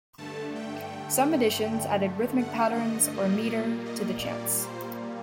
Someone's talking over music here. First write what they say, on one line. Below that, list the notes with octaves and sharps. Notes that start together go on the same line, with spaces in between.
Some editions added rhythmic patterns, or meter, to the chants.
G2 D3 A3 A5
G5
F#5
D#5
A#2 G3 A#3
D#5
D5
C5